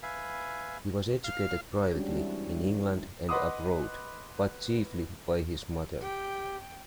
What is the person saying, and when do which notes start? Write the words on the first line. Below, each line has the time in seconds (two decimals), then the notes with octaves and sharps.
He was educated privately, in England and abroad but chiefly by his mother.
0.03 B4 E5 F5 G#5
1.24 F5
1.94 G3 G#3 C#4 D4 F#4 G4
2.11 E3 G3 C4 E4 F#4
2.59 D4 D#4
3.29 B4 D#5 F#5 C6 D6 D#6
6.01 G4 G5